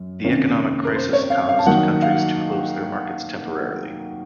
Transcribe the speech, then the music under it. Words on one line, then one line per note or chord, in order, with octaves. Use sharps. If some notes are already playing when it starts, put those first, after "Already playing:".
The economic crisis caused countries to close their markets temporarily.
Already playing: F#2
C3 D#3 A#3 C#4
A#4
C5
C#5
F5
F5
A5
D#3 F#3 A#3 D#4 F#5
F5